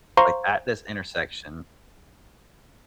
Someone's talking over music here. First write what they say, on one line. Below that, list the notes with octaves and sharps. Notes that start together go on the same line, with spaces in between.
like, at this intersection,
C5 F5 A#5 C6 C#6